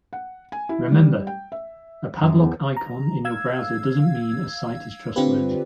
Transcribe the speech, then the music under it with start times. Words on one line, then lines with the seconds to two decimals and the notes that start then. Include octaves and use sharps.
Remember, a padlock icon in your browser doesn’t mean a site is trustworthy.
0.13 F#5
0.52 G#5
0.69 E4
0.92 G3
1.27 G5
1.52 E5
2.22 F#2
2.40 E2
2.77 A#5
3.25 F5 E6 G#6
5.16 D3 C4 D4 F4 G4 B4